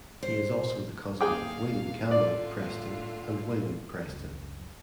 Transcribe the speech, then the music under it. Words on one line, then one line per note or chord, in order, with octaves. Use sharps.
He is also the cousin of William Campbell Preston and William Preston.
C5
D#2 G#4 F5 G5 D6
A2 D3 F4 D5
C#2 F#2